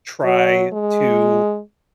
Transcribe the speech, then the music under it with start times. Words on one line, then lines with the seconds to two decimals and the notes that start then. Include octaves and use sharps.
try to,
0.24 F#3
0.73 G#3